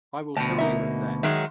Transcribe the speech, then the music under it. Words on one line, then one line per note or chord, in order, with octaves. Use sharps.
I will tell you of that!
D2 B2 G5 A5
A#3 D#4 E5
D#3 F#3 G#3 E5